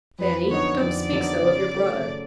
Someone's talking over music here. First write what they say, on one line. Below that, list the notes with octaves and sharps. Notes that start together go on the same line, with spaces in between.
'Fanny, don't speak so of your brother.
F2 B4
D3 F#3 B3 D#4 C#5
F2 D5
D3 F#3 B3 D#4
C#3
F#3 A3
C#3